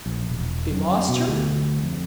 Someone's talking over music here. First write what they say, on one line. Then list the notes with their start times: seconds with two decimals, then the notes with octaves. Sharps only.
"They lost her?"
0.06 A#1
0.29 E1
0.71 F#2
1.09 B2
1.28 D2
1.83 F2